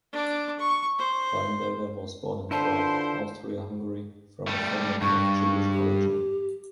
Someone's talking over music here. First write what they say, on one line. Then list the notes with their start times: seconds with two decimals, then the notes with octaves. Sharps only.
Weinberger was born in Prague, Austria-Hungary, from a family of Jewish origin.
0.13 D4 D6
0.58 C#6
0.98 C5
2.51 D3 E4 F4 B4 C5 E5 A5
4.48 G3 A3
5.02 G2 C#6
5.73 G4